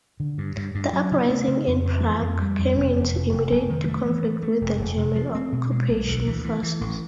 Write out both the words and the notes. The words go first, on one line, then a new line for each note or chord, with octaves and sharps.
The uprising in Prague came into immediate conflict with the German occupation forces.
D3
G2
G2
G2
F#3
C#3
A3
C#3
F2
F2
E3
F2
G3
F2
F1
F1
F1
F1
F1
D#3
A3
E3
A3
A3
F1
F1
C3
F3
C4
B2
G#3
B1
D2
E3
E3
E3
A1